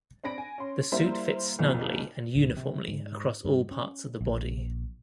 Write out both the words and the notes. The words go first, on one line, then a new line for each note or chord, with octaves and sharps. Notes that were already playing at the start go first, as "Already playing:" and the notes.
The suit fits snugly and uniformly across all parts of the body.
C4 D4 B5 A#6 D7
G#5
C#4 C6
G3 A#3 E4 C5 E5
B1 F2 A#2 F3
D1
C3
G#2
G2
C#4
A#1